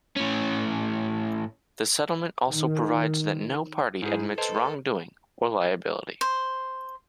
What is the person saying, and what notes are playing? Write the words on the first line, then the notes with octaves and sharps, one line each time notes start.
The settlement also provides that no party admits wrongdoing or liability.
A2 C#4
D#3
G#2 E4 G#4
A4 B4 C5 D#5 A5
C5